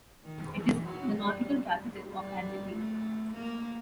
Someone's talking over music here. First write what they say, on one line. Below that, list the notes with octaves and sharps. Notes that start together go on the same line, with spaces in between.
It is the nautical capital of Argentina.
D#3
E3
F#3
G3
G3
A3
A#3